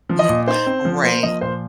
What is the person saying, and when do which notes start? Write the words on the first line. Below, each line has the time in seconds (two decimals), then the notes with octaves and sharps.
Mhm, right.
0.09 F3
0.19 D#5
0.29 A#2
0.47 D#4 C5
0.66 C4
0.85 F3
1.03 A#3 C5
1.23 F3 D#5
1.41 A#2 C5